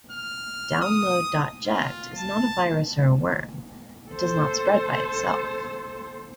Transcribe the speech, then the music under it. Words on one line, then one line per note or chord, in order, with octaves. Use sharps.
Download.ject is not a virus or a worm; it does not spread by itself.
F6
D#6
F4
A5
A4 C5